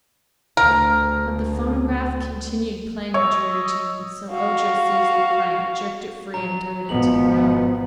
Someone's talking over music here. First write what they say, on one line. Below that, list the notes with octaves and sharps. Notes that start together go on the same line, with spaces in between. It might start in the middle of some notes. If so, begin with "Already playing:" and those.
But the phonograph continued playing the dreary tune, so Ojo seized the crank, jerked it free and threw it into the road.
D2 A#4
C#5 D#5 E6
F#4 F5
F#3 A#5
G#1 B2 F3 B3 F#7